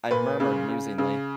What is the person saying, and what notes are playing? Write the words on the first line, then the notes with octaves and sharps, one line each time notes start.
I murmured musingly.
A#2 B4
C#3
C#3
C#3